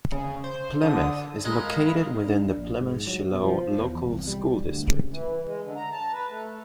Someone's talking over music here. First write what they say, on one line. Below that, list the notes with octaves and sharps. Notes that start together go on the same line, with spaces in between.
Plymouth is located within the Plymouth-Shiloh Local School District.
C#3
C5
D3 D#6
G#3 D#4 A#4 D#5 F5 B5 F6
D4
A#1
G#2
F#3
B2
F3
E2
C2
G3
D2
C#3
E3
G#3
D3
A#5
A5
B4
A3